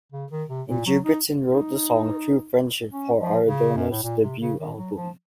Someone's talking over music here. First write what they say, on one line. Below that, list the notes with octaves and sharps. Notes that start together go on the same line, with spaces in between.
Ingebrigtsen wrote the song "True Friendship" for Arredondo's debut album.
C#3
D#3
C3
A#2
F#3
D#4
D#4
C#4
F3
C#3
F#2
A2
A#2
C3
C#3
D#3
F#3
F3